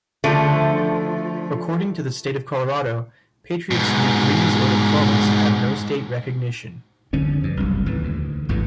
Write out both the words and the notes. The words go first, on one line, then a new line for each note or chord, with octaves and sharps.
According to the State of Colorado, Patriot's "degrees or diplomas have no state recognition".
D3 F3 A3
G#2 B2
D3 F3 C#4
G2
F#1 C2
D#2 A2 E3
D2
G#1 E2 G2 D3